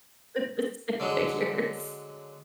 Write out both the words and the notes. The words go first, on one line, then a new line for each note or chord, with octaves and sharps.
with the stick figures.
D3 F#3 G#3